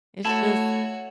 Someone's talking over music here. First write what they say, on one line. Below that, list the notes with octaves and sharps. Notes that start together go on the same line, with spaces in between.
It's just
A3 E4 F#4 C#5 A5